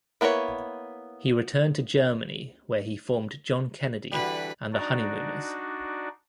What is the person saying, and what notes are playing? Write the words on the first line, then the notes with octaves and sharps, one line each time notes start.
He returned to Germany where he formed John Kennedy and the Honeymooners.
A#3 B3 E4 F#4 C#5
D3 E3 G3 F#4 B4 B5
D4 D#4 F#4 D5